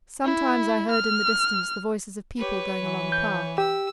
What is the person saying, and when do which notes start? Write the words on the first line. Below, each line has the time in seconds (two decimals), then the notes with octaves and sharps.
Sometimes I heard in the distance the voices of people going along a path.
0.25 E4
0.90 F6
2.38 G4 B4 C#5
2.78 E3
3.12 G6
3.58 G4 E6